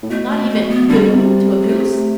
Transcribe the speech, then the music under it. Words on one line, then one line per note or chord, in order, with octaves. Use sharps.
"Not even boo' to a goose?"
A2
B2 A3
A3
B3
A3
B3
D3 G3
C3
B2
C3
G3
A3